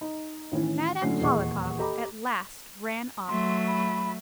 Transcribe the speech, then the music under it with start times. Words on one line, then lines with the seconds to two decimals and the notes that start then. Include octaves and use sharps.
Madame Hohlakov at last ran off.
0.01 D#4
0.52 A2 D#3 E3 C#4
1.02 A2 D3 F#3 A3 C#4 C7
1.20 D#1 E2 G#4 D#5 F#5 C#6
1.79 G4 A4 D#5 A#5 B5 D6
3.28 F#3 A3 C6
3.67 B5